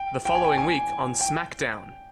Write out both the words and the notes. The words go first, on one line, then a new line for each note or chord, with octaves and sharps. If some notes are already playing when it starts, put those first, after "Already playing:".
The following week, on SmackDown!
Already playing: G5
G5
G#5
G5
G#5
G5